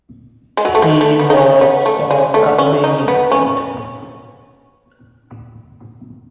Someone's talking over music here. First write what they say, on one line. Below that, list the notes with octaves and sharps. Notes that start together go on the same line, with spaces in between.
He was of Albanian descent.
G#3
F#3
A3
G#3
A3
B3
D#4
C#4
B3
A3
G#3
A3
C#4
D#4
B3
C#4